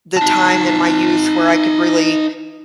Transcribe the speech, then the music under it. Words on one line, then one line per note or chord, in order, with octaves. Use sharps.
the time in my youth where I could really,
D#4 A5